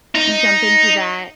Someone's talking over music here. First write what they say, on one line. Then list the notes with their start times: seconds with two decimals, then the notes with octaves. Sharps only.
jump into that,
0.15 D#4